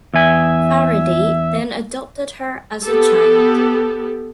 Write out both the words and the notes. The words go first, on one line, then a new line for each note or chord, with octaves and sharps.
Faridi then adopted her as a child.
E2 E5 G#5
B3 G4 A4